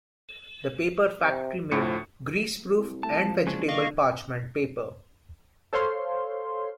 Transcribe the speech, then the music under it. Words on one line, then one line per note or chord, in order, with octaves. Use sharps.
The paper factory made greaseproof and vegetable parchment paper.
C3
D2 A2 F3 C#7
C2
A3 A5
F3
F#1 G#3 C#4 D4
D#3 D5 D#5 F5 C#6
A4 C5 C#5 F5 C6